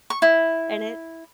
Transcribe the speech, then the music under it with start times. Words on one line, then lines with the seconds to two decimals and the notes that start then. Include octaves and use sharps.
and it
0.10 C#6
0.22 E4